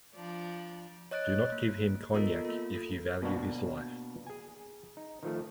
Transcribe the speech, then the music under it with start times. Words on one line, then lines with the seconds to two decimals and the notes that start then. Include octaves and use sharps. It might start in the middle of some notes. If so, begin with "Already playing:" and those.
Do not give him cognac if you value his life.
0.15 F3 D4
1.11 C#5 D#5 F#6 A6 D7
1.52 A#3
2.14 B3 F4 A4 A#4 D#5
2.45 A#3 F4
2.76 A4
3.22 B2 A#3 B3 D4 F#4
4.27 G#4 G#5
4.97 D#4
5.23 D#3 F3 A3